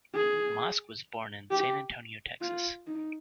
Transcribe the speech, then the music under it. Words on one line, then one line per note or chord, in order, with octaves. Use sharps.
Mosk was born in San Antonio, Texas.
G#4
G4
F4
D#4